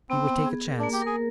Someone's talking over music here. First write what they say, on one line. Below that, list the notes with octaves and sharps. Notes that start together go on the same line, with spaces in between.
We will take a chance.
B3 C4
B3
G#4
A#4
A#3 D4
G4
G#4 A#4